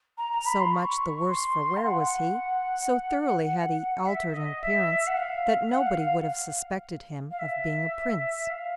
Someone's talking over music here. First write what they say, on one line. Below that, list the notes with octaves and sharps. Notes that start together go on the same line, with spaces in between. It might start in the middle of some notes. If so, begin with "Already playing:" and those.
So much the worse for wear was he, so thoroughly had he altered in appearance, that nobody would have suspected him of being a Prince.
A#5
A#5
B5
C6
C#6
C6
F5
F#5
E5
E5
D#5
E5
F#5
F5
F5
F#5
F5
F5
F5
E5
F5